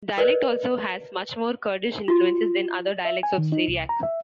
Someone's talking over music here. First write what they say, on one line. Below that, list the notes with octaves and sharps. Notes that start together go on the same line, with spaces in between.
The dialect also has much more Kurdish influences then other dialects of Syriac.
A#4 B4 D5 D#5
F4 F#4
E5
G#5
D#3
D#4
C2
A#5
E5